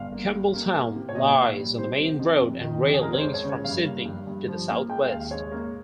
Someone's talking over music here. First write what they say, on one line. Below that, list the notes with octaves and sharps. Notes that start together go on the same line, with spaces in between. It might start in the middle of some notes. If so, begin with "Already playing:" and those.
Campbelltown lies on the main road and rail links from Sydney to the south-west.
Already playing: G1 F5
A#3
G3
A#3
A#3
C3
C#5
A#2 D#5
A#2
G3
C3 C5
C3
F2
F2
D#3
F2 G4
G#4
G#3 A#4
C#5
C5
G#3
C#5
C#3
C#5
G2 F5
A#3
G2
G2
F3
A#3
G#3 G5
D#2 F5
G#3 C#5
A#3